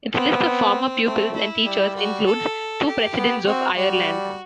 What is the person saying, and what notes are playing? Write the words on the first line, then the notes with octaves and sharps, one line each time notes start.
Its list of former pupils and teachers includes two Presidents of Ireland.
B3 C4
A3 C4
E4
G3
F#4
A4
G4
B3
C4 F#4
G3 F#4